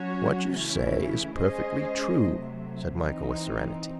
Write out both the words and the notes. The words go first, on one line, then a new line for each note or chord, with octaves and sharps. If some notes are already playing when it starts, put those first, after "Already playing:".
"What you say is perfectly true," said Michael, with serenity.
Already playing: F#3 C#4 F#4 C#5
C#3 E3 A3 C#4 E4
G#3 C#4 G#4 C5 D#5
C3 F#3 A3
E3 C4 D#4